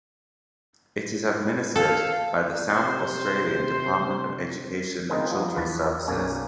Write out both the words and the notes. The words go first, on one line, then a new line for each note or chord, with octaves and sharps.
It is administered by the South Australian Department of Education and Children's Services.
B4
A4 F5
C3 C5
C4 D#4 F4 G#4 A#4 B4
F3 B3
E2 F3 B4 A5
B1 F#2 A#3 C#4 D5 G#5